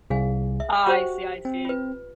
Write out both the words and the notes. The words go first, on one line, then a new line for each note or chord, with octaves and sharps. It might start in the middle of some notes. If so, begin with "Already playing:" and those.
I see, I see.
C2 G#4 F5 G#5
E5
F#4 G4 C5 G5
C4
F4 B4